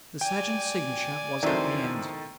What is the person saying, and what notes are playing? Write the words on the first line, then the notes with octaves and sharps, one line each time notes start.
The surgeon's signature was at the end.
D5 G5 G#5
F2 D#3 F#3 D4 E4 A4 C5